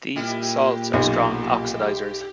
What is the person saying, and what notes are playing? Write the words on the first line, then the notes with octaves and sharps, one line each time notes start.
These salts are strong oxidizers.
A#2 G3 G#3 E4 G4
B1 F2 G#2